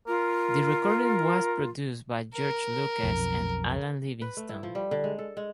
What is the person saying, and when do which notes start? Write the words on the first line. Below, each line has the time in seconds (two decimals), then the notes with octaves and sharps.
The recording was produced by George Lucas and Alan Livingston.
0.08 F4 A#4
2.35 A#4
3.03 B1 F2
4.22 B4
4.37 A3
4.49 E4
4.63 F3
4.75 G3
4.91 D3
5.04 G#3
5.19 A4
5.37 G#3